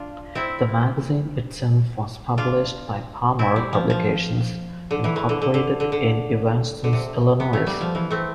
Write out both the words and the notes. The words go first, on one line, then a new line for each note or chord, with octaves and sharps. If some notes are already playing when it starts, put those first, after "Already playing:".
The magazine itself was published by Palmer Publications, Incorporated in Evanston, Illinois.
Already playing: D4 F4
C4 E4
D4 F4
C4 E4
G3
F3
F3
D3
E3
E3
D3
D3
D3
D3
D3
D3
C3
B3
A3
G3
F3
E3
A3 C4